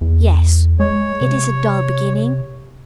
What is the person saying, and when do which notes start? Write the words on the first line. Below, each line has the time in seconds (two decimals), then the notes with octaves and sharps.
'Yes, it is a dull beginning.
0.01 E2
0.80 G#3 C#5
1.21 C3